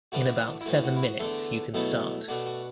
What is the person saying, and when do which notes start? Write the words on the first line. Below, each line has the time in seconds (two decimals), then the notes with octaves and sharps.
In about seven minutes you can start.
0.12 A2 E3 A3 D4 F#4
0.61 E4
0.66 A2 E3 A3 F#4
0.84 F#4
0.96 E4
1.02 F#4
1.19 E2 D3 A3 D4 A4
1.74 E2 B2 F#3 A3 B3 A4
2.28 B2 A3 D4 F#4
2.46 F#4